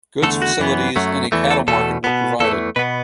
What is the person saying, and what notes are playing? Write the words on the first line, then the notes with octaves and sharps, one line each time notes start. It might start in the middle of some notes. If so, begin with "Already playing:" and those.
Goods facilities and a cattle market were provided.
E2 D3 A3 A4
F#4
F#2 E3 B3
F#2 F#3 A3
E2 E3 A3
A4
E2 B2 A3 A4
B2 B3
E2 E3 A3 A4
B2 B3 B4